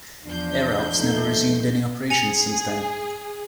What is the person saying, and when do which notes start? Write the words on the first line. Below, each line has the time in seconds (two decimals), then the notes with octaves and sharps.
Air Alps never resumed any operations since then.
0.24 E2 F3 D4 G6
1.00 A3 A#3 D#4
2.10 G#4 G#5 C#7 F7